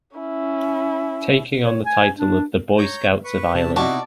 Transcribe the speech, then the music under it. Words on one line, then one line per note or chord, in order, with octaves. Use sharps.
Taking on the title of the "Boy Scouts of Ireland".
C#4 E4
C#5
G#5
D4
C#5 A#5 G6
B4 C#6
C3 A5
B2 D#4 E4 F#4 D5 A5 C#6